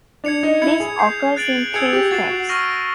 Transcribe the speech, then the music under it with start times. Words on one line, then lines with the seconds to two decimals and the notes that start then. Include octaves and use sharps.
This occurs in three steps.
0.24 D4 G#6 C#7 F7
0.43 D#4
0.62 E4 G#6 C#7 F7
0.80 G#4
0.99 G6 C7 F7
1.36 F#6 A6 D7 F#7
1.74 G#4 E6 G#6 C#7 F7
1.93 G4
2.11 F#4 A6 C7 E7
2.30 F#4
2.49 C#6 F6 A#6 D#7